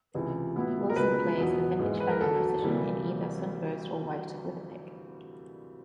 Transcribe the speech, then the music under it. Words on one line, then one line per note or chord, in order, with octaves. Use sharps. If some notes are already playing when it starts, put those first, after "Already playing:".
Wilson plays a vintage Fender Precision, in either sunburst or white, with a pick.
C#2 C3 E3
A2 F#3 B3 E4
A#4
C#2 B2 G#3 B4
E2 B2 F#3 B3
G#2 E3 G#3
B4
A#4
D2 D3 F#3 A4
D2 C3 E3 G3 A#3